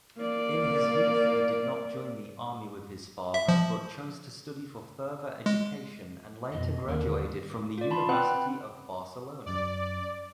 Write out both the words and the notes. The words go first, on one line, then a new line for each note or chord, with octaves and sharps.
In his youth, he did not join the army with his father, but chose to study for further education, and later graduated from the University of Barcelona.
A#3 D5
E5
F3
G#3
F2 B2 D#5
D#2 D3 A#4
F4 D5
A5 B5 C6
C4 B4 F#5 G5 B5 F#6
F#2 D5